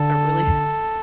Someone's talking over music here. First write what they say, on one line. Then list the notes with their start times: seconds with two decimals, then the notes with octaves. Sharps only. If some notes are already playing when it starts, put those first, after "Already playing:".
a really
Already playing: D3 A4